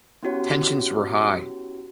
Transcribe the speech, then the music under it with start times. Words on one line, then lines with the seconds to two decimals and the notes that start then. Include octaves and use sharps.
Tensions were high.
0.23 B3 C#4 E4 F#4 G4 C#5